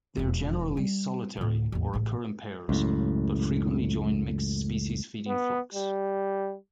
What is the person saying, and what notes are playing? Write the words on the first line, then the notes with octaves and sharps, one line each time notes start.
They are generally solitary or occur in pairs, but frequently join mixed-species feeding flocks.
E1 F2
G3
D2 A2
A1 E2
A1 A2
C#2 F#2 A2
B3
G3